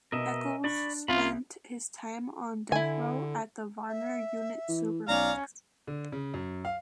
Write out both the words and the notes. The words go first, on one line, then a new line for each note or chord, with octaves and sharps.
Echols spent his time on death row at the Varner Unit Supermax.
B2 A#4 D#5 E5
D4 D5 B5 C#6
C2 C#4 F4 C#5 B5
D3 E4 G#5
E5
E3
B1 C#4 D5 F5 A#5
D3
C#3
F#2
F5